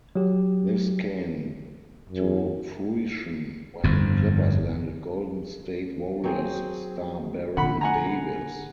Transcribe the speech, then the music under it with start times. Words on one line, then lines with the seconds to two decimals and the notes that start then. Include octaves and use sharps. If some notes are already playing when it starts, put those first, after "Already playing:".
This came to fruition when Clippers landed Golden State Warriors star Baron Davis.
0.16 F#3 G4
2.09 F#2
3.84 G1 F2
6.24 F#3 C4 G#4
7.57 A#2 D3 F#5 B5
7.81 F#5 G#5 A#5